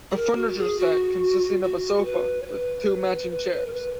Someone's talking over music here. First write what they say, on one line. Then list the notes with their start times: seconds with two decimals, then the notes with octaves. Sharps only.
A furniture set consisting of a sofa with two matching chairs.
0.11 G#4
0.16 A#4
0.37 F#4
0.58 G#4
0.79 F#4
1.63 F#4
2.05 B4
2.42 C#5
2.46 B4
3.31 B4
3.52 B4
3.66 A#4
3.73 B4